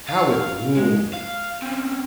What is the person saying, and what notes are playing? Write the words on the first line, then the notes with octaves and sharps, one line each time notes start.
How it bloomed!
F5
G#3
F5
C4 C#4